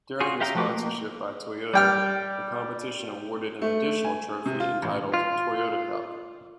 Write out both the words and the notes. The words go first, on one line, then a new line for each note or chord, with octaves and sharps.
During the sponsorship by Toyota, the competition awarded an additional trophy, entitled "Toyota Cup".
F4 F#4 G#4
G4 E5 F5 G5 A#5
F3 A3 F#4 G4 D6
A#3
G3 G5 F6
A3
G#5
C3
F4
A1
F4